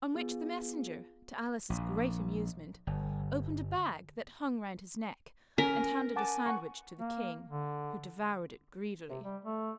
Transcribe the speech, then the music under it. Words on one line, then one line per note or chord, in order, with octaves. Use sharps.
On which the Messenger, to Alice's great amusement, opened a bag that hung round his neck, and handed a sandwich to the King, who devoured it greedily.
B3 F4 G#4
A#1
G1
C#4 A#4 G#5
F#5 G#5 A5 D6
F#5 C#6
A#3
D3
C3
G3
A3